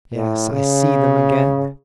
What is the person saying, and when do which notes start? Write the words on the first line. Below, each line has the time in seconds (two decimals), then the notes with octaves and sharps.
Yes; I see them again.
0.14 A2
0.51 C#3